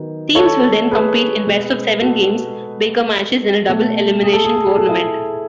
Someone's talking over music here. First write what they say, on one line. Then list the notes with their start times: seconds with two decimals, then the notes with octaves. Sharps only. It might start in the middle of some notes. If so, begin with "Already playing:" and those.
Teams will then compete in best-of-seven-games Baker matches in a double elimination tournament.
Already playing: D#3 F#3 B3
0.35 A4 C#5
0.91 G#4 B4
1.46 B2 G#3 B3
2.01 F#4 A4
3.68 B2 A3
4.23 G#4
4.33 A4
4.45 G#4
4.56 A4
4.67 G#4
4.78 A4
4.88 E4 G#4